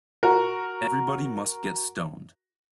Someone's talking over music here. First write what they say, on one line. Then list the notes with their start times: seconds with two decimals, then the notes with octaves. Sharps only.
Everybody must get stoned.
0.23 F#4 A#4